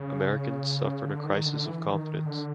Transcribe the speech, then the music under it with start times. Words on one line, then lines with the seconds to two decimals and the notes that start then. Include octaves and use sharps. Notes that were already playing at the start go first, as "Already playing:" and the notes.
Americans suffered a crisis of confidence.
Already playing: C#3
1.06 D3
1.25 D#3
1.45 D3
1.66 E3
1.85 D#3
2.26 D3